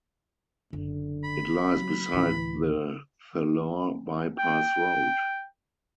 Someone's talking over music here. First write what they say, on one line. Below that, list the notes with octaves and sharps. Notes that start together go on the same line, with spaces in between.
It lies beside the Thalore bypass road.
F#1 D3 D4
B5
F#3
D2 A2 E3
G5